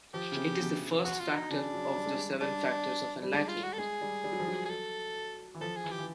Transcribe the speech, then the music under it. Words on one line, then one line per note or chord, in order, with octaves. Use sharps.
It is the first factor of the Seven Factors of Enlightenment.
F3 G4
C#3
C3
B2
F#4
F4
D#4
C#3 D4
F#3
G3
G#3
G3
G3 D4
G3
G#3 D4
F4
F#4
A4
G#3 G#4
G3
G3
F#3
F3
F#3
G#4
A4
E3
F3 A4
G#4
E3
G4
E3